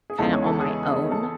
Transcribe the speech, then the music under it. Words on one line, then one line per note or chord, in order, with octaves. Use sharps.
kinda on my own,
G#4
E2 C#3 E3 G#3 D#4 A4
C#5
A4
G#4
G#4
A4